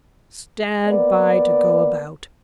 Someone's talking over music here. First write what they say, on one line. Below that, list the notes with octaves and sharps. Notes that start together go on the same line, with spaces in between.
Stand by to go about.
A#3 B3 D5